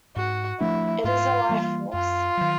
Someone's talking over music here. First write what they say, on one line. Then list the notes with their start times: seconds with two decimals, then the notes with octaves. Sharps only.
It is a life force.
0.16 G#2 F#4
0.60 F3 A3 D4 E4
1.04 G#2 F4
1.49 E3 G3 A#3
1.93 F#2 F4
2.37 D#3 F#3